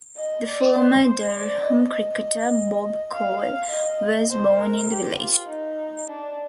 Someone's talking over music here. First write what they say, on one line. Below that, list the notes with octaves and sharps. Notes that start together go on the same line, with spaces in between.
The former Durham cricketer Bob Cole was born in the village.
D#5
D5
C5
D5
D#5
D#5
F5
F5
D#5
C5
A#4
G4
F4
D#4
D4